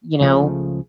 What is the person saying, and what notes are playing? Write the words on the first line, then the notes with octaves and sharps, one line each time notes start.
you know,
C#2 C#3 F3 A3